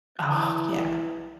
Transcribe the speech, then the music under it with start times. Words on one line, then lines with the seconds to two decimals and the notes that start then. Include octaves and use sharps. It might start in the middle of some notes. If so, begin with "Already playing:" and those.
Oh, yeah.
0.27 E3